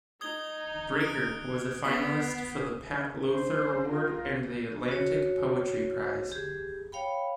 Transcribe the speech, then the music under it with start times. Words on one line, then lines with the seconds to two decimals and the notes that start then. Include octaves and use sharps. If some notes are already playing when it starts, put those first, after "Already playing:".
"Breaker" was a finalist for the Pat Lowther Award and the Atlantic Poetry Prize.
0.21 D#4 D#6 G#6 G7
1.00 D#6 F#6 D7
1.84 B3 D#6 B6 C7
3.29 D4 C5
3.87 F4 A#4
4.88 F#4 C#5
6.32 G4 G#4
6.92 C#5 F5 G5 B5